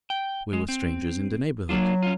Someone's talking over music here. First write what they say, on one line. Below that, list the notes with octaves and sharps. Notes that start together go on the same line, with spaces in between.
We were strangers in the neighbourhood.
G5
G#3
C4
F#3 A#3 D4 F4
C#4 F4